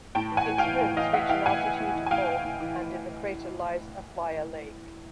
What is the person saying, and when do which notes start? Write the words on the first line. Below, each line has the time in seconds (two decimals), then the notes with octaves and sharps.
Its rims reach an altitude of and in the crater lies a playa lake.
0.15 A2 G5 A5
0.32 E3
0.37 F#5 G#5
0.48 A2
0.58 F5 G5
0.64 E3
0.81 A2
0.97 E3 D#5 F5
1.13 A2 E5 F#5
1.29 E3 F5 G5
1.46 A2 F#5 G#5
1.63 E3
1.79 A2
1.95 E3
2.06 G#5
2.11 A2 F5 G5
2.27 E3
2.44 A2
2.60 E3